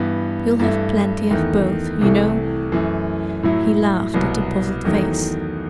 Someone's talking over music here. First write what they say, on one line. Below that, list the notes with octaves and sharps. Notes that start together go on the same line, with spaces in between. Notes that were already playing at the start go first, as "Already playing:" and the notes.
"You'll have plenty of both, you know." He laughed at the puzzled face.
Already playing: G2 E3 B3
G2 E3 A3 E4
E2 D#3 A3
C2 C3 E3 A3
F#2 E3 A3
A2 F#3 A3 E4
C2 B2 F#3 B3
E2 D#3 F#3 A3